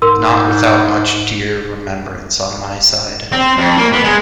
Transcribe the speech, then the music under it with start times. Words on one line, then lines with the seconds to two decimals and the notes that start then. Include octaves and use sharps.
Not without much dear remembrance on my side.
0.02 G#2 A#4 C6 E6
3.32 C4
3.57 F2
3.77 A#3
3.92 B3
4.04 G#3